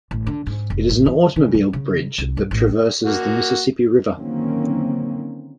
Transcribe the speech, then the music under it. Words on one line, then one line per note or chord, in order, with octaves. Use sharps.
It is an automobile bridge that traverses the Mississippi River.
A1
D3
G#2
F1
A1
E3
C#3
G3
C#3
C2
G2
A1
A#3 F#4
D3 D#3 F#3 A#3 C4 C#4